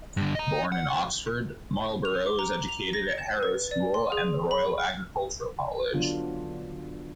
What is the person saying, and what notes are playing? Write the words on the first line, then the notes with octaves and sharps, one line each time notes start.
Born in Oxford, Marlborough was educated at Harrow School and the Royal Agricultural College.
G2 D3
D#5 A#5
F#5
F7
D6
A#5
F7
A#6
E7
B4
D5
C6
G#4
B5
D3 F#3 B3 D4 F4